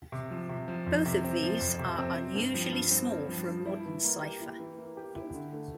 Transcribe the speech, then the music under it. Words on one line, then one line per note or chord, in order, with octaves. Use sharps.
Both of these are unusually small for a modern cipher.
C3
F3
C3
F3
F2
C3
C4
F3
F2
C3
C4
C4
G2
F3
G2
C4
G2
F3
G2
E4
E3
A#3
G4
E4
E3
A#3
G4
E4
D3
A3